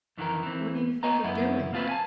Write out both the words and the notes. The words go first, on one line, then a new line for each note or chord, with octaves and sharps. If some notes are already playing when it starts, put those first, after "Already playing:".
'What do you think of doing?'
F2 D#3 E3 F#4 A#4
E3 C4
B3 F#4 C#5 D#5 G#5 A#5
F#2 B3 E4
A#3 C4 F4 G#4 B4
G#5 A5